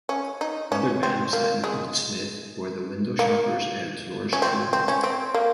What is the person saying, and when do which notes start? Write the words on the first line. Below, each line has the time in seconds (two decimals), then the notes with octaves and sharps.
Other bands that included Smith were the Window Shoppers and Yours Truly.
0.09 C#4
0.41 D#4
0.72 C#4
1.03 C4
1.33 A#3
1.64 G#3
3.19 A#3
4.33 C#4
4.42 C4
4.73 C4
4.88 C#4
5.03 C4
5.34 A#3